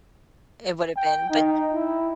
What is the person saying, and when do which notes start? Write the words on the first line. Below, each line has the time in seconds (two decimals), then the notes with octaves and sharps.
It would've been but
0.97 G5
1.30 D#4
1.74 E4